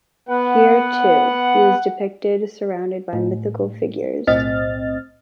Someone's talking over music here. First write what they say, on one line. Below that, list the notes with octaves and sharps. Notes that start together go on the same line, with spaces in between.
Here, too, he was depicted surrounded by mythical figures.
B3 B4 F#5
A2
B1 A2 C4 D#5 F6 A6